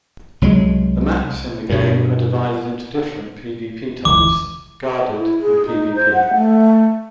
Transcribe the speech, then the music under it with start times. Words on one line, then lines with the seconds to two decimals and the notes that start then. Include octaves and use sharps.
The maps in the game are divided into different PvP-types - Guarded and PvP.
0.42 C2 F#3 G#3
1.70 G2 B2
4.05 E1 C#2 E3 D6
5.08 E4
5.40 G#4
5.66 D#4
5.95 C5
6.14 F#5
6.34 A3